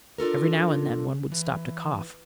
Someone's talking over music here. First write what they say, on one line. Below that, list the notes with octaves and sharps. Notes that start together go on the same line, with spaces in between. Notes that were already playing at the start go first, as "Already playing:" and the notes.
Every now and then one would stop to cough.
D4 F4 A4 A#4
E3